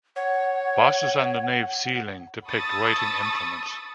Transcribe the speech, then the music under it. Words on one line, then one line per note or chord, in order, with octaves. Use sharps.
Bosses on the nave's ceiling depict writing implements.
C#5 F#5
A5 B5 C#6 D#6 E6 A6